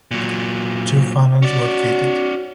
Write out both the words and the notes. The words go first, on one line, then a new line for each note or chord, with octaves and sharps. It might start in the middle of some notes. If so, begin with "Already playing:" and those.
Two funnels were fitted.
A#2 F#3
C#4 F#4 D5